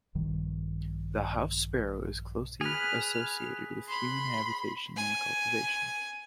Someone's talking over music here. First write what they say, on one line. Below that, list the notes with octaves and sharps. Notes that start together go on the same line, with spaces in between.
The house sparrow is closely associated with human habitation and cultivation.
A#1 G2 D#3 G3
G#4 B4 F6
B5 C6
G#5